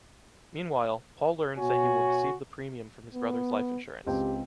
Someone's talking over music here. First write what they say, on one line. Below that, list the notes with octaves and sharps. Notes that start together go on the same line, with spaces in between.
Meanwhile, Paul learns that he will receive the premium from his brother’s life insurance.
B2 F#4 C#5 G#5
B3
C#2 C4 G4 G5